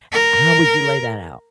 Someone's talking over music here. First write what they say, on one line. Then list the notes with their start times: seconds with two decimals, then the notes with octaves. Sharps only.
H how would you lay that out?
0.12 A#4